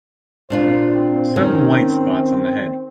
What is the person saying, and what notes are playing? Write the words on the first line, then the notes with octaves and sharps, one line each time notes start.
Some white spots on the head.
A#2 D4 F4 C5
C4
D#3 C#4 A#4